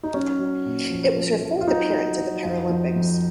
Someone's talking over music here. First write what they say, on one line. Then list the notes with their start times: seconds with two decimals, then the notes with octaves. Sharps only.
It was her fourth appearance at the Paralympics.
0.03 D#4
0.14 F#3 C#4
0.39 F#3
0.66 A#2
0.90 F3
1.17 F3
1.42 F3
1.61 F4
1.68 F#3 D#4
1.93 F#3
2.19 F#3
2.45 F2
2.70 F3
2.96 F2